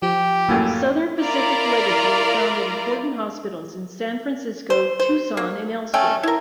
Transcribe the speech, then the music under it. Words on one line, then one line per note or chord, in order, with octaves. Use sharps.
Southern Pacific legacy founded important hospitals in San Francisco, Tucson, and elsewhere.
F3 G4
F#2 A2 A#3
E4 F4 A#4 D5 F5 A#5
C5
C5
A#3
A3 C#4 G5
E4 A#4